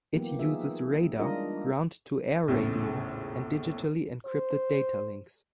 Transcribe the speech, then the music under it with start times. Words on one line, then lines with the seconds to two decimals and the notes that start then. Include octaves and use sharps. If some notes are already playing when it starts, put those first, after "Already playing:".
It uses radar, ground-to-air radio and digitally encrypted data links.
0.13 E3 F#3 A#3 B3 G4
0.39 D#4 F4 G#4 E5
1.19 G3 G#3 D4 F4 A#4 D#5
2.48 A#1 E2 A2 C#3
4.25 C5